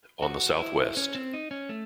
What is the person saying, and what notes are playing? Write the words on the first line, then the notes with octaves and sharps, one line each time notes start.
On the Southwest.
F#4
E4
C#4
C4
D#4
C#4
A3